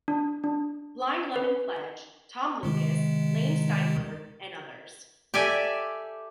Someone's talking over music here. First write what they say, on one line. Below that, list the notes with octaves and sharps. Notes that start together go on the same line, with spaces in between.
Blind Lemon Pledge, Tom Lucas, Lane Steinberg, and others.
D4
D4
B4
C3 D#3 G#3
G4 A4 D5 E5 G#5